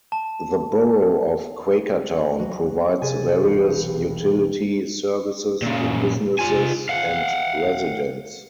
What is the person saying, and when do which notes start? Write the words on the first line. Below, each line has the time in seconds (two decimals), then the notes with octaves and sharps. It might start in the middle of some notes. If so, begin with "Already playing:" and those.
The borough of Quakertown provides various utility services to businesses and residents.
0.12 A5
2.39 F#3
3.01 C3 G#4 G#5 A6
3.43 E1 C2 B2 B4 G6
5.63 A#2 C#3
6.39 F4 G#5
6.89 F5 F#5